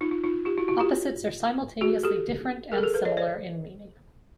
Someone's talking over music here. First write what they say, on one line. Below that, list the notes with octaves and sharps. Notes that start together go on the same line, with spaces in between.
Opposites are simultaneously different and similar in meaning.
D#4 F4
D#4 F4
D#4 F4
F4 G4
E4 F#4
E4 F#4
F4 G4
F#4 G#4
G4 A4
G#4 A#4
A4
G#4 A#4
A4 B4
C#5 D#5
C5 D5